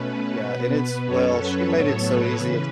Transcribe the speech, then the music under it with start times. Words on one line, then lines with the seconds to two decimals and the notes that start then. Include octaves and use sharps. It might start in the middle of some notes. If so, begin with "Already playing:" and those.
Yeah, and it's well, she made it so easy it's
Already playing: B2 A3 C#4 B4
0.40 B2 B3 B4
1.06 F#2 F#3 C#4 A4 C#5
1.38 B4
1.71 A2 F#3 B3 A4 C#5
2.04 B4
2.37 C#3 E3 C#4